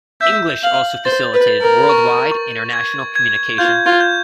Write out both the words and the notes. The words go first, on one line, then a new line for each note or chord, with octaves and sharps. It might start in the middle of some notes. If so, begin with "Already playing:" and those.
English also facilitated worldwide international communication.
E5 G6
F5 F#7
C5 A6
B4
A6
A#4
C#6
C#6
G#6
G#6
F4 G6
F4
G6